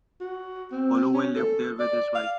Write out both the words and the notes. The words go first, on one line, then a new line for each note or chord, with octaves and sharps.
Holloway lived there with his wife.
F#4
C4
C#4
A4
D5
F5